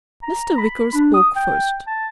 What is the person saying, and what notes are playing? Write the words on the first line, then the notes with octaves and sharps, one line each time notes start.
Mr. Wicker spoke first.
A#5
B5
D4
D#6
G5
A5